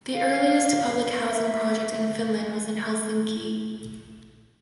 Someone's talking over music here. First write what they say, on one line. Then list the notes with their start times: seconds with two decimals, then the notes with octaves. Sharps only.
The earliest public housing project in Finland was in Helsinki.
0.14 F5
1.29 E5